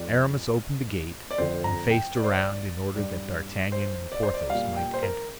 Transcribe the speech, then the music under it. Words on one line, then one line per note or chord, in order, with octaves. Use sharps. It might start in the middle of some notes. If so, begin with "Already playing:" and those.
Aramis opened the gate and faced around in order that D'Artagnan and Porthos might enter.
Already playing: F2 F3 D5
D5
F2 D3 F3 C5
A#5
G5
D5
C5
D5
G2 G3
C5
D5
C5
D5
A#2 G3 F5
G5
C5
A#4